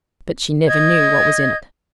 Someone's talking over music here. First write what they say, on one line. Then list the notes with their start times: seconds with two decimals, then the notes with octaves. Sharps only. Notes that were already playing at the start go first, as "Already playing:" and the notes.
But she never knew what was in it.
0.67 D#5 G6 G#6